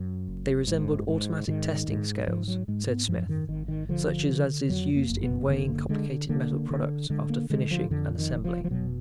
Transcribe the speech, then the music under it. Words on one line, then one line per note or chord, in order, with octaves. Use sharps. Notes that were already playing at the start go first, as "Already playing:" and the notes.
They resembled automatic testing scales, said Smith; such as is used in weighing complicated metal products after finishing and assembling.
Already playing: F#2
F#1
G#2
G#2
G#2 D#3
G#2
G#2 F3
F#3
G#2 G#3
B3
F#2 F3
D#3
G#1 D#3
D#3
D3 F3
D3
F2 F#3
A#3
F#1
B3
D3 B3
A#3
D3 G#3
D3 A#3
D3
D3 G#3
A#3
D3 G#3
F3
F2 D3
D#3
F1
F3
F3
B2 F#3